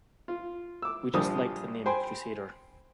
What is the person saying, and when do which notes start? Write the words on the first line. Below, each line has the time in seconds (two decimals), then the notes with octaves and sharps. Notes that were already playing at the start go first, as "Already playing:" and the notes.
We just liked the name "Crusader".
0.28 F4
0.82 D6 E6
1.14 A#1 F3 G3 G4 D#6
1.86 C5 G5 G#5 B5 C6